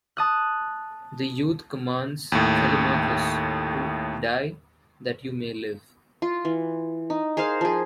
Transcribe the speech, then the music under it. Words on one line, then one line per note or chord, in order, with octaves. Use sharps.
The youth commands Callimachus to, die, that you may live.
A5 D#6 F#6
D#2 A2
F4
E3
D#4
G#4 A#4 C5 F5
F3 G#4